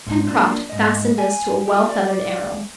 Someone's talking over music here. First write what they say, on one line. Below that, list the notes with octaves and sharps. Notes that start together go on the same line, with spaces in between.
Pencroft fastened this to a well-feathered arrow.
G#2
A#3 D4 F4
G#2 D#5
G#5
F4 G4
D5